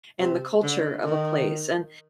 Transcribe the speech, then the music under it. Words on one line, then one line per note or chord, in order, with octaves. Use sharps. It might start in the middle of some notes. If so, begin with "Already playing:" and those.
and the culture of a place." And,
C3
D3
D#3